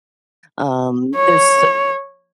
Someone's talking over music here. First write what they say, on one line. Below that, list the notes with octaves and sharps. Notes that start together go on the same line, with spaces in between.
um, there's s
C#5